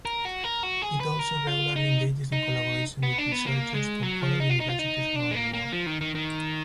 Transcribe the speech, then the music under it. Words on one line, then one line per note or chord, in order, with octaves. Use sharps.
It also regularly engages in collaboration with researchers from other universities around the world.
A#4
F#4
A#4
F#4
G#4
B4
A#4
F4
D#4
D#4
B3
D4
B3
A#3
G#3
F#3
F3
D#4
F4
D#4
F4
D#4
D4
G#3
A#3
A#3
F3
D#3
D#3
D#3